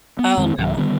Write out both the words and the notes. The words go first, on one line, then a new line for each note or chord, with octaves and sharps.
Oh, no.
B3
F2 D#3 G#3 C4
C2 G#2 D#3 F#3
D3 D#3 G3 B3